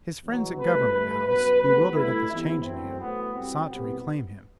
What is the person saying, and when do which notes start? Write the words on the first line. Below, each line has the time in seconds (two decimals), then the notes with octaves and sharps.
His friends at Government House, bewildered at this change in him, sought to reclaim him.
0.23 E2 B2 F#3
0.58 C2 B2 A3 B4
0.92 G2 D3 A3 B4
1.26 F#2 F#3 B3 B4
1.61 D2 D3 G3 B3 B4
1.96 G2 D3 A3 E4
2.30 E2 C3 E3 B3 E4
2.65 E2 D3 F#3 A3 C4
2.99 A2 F#3 A3 B3
3.34 C2 C3 F#3 C4
3.68 C2 B2 G3 B3